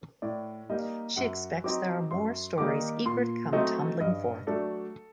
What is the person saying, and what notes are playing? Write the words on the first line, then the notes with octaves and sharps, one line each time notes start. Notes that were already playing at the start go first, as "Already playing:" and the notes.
She expects there are more stories eager to come tumbling forth.
A2 D5
G3 A#3 D#4 D#5
F#2 F#5
F#3 C4 D#4 D6
F#2 C6
D#3 G3 A#3 D#4 D6
A#2 C6
F#3 A3 C4 D#4 D#5
G2 D#5
F#3 A3 D4 A4